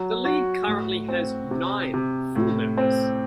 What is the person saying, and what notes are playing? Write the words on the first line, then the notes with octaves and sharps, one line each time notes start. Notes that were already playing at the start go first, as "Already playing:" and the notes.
The league currently has nine full members.
Already playing: F#3
F#4
A2
C4
C3
C3
A2
C4